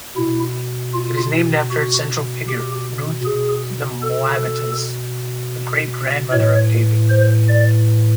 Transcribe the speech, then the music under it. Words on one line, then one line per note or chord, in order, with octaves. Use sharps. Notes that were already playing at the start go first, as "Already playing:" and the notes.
It is named after its central figure, Ruth the Moabitess, the great-grandmother of David.
B2 E4
F4
F#4
G4
B2 G#4
A4
A2 E3 C#5
C5
D5